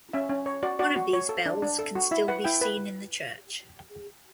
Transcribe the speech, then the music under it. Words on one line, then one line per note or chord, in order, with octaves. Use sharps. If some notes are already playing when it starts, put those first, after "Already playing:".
One of these bells can still be seen in the church.
C#4 E5
C#4
C#5
F#4 D5
F#4 D5
F#4
C#5
A4
D4
D4
A4
F#4
E4 E5
B4 F#5
E4 G5
B4